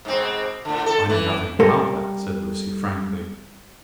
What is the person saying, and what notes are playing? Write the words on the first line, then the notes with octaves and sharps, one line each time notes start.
"I know nothing about that," said Lucy, frankly.
G#2 B2 C4
A2 D3
A4
E3 B4
G3 A4 A#4 C6